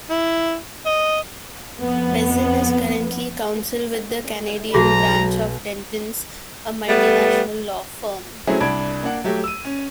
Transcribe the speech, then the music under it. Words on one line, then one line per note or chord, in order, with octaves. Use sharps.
Bazin is currently counsel with the Canadian branch of Dentons, a multinational law firm.
E4
D#5
F2 B3
B1 F#3 F#4 G#4 A#5 C6 A#6
G3 A3 B3
F#3 A3 C4 C#4 E4 G#4
C2 D4 A5 B5 G#6 D7
A#3 D4 F#5
F#3 A3 G4
E6 D#7
C#4